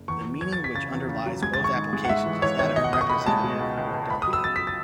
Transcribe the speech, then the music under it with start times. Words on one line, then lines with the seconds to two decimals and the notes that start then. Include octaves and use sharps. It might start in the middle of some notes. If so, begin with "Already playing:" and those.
The meaning which underlies both applications is that of representative or delegate.
Already playing: F#1
0.08 E2 C#6
0.25 E2
0.41 E2 G#6
0.53 A6
0.58 E2
0.64 B6
0.74 C#3 A6
0.92 E2
1.08 C#3
1.26 F#3
1.42 G#3 G#6
1.54 G#1 A6
1.64 C#6
1.75 G#2
1.93 G#3
2.05 F#5
2.09 G#3 E5
2.26 E3
2.42 E3 C#5
2.59 G#1 C#5
2.76 B2 D#5
2.84 F#5
2.93 C#2 D#6
3.01 C#6
3.09 C#2 B5
3.26 G#3 A5
3.43 B2
3.60 C#2
3.77 C#2
3.94 C#2
4.10 C#2 B5
4.22 D#6
4.27 F#3
4.33 E6
4.44 C#2 A6
4.56 B6
4.67 A6